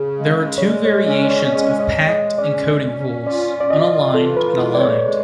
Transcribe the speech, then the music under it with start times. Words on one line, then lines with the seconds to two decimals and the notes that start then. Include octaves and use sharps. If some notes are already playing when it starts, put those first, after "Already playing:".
There are two variations of packed encoding rules: unaligned and aligned.
Already playing: C#3
0.19 G#3
0.58 C#5
0.62 G#3 D5
0.85 C#5
1.06 C#4 D#5
1.24 C#5
1.28 D5
1.51 G#3 D#5
1.80 D#5
1.95 G#3
2.09 D#5
2.38 C#4 D5
2.82 C#4
3.26 F4 D5
3.60 D5
3.70 F4 D#5
4.14 E3 A4
4.37 B4
4.58 G#3
4.75 D5
4.80 C#5
5.02 G#3